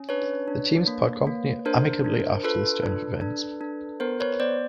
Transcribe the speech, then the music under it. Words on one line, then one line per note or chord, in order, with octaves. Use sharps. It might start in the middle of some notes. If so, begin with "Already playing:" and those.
The teams part company amicably after this turn of events.
Already playing: C#4
D4 B4 C#5
D4
A#3
A#3
D4 A#4 C5
D4
F4 A4 B4
D4
D4
D4
B3 A#4 C5
B4 C#5
B3 C5 D5